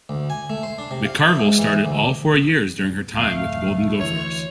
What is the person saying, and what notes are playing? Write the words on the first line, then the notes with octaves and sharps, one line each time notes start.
McCarville started all four years during her time with the Golden Gophers.
D2
G#5
A3
C5
D4
C3
F5
E4
G#2
E3
D2
D1 F2 A3 F5
D2 E3 C#5 F7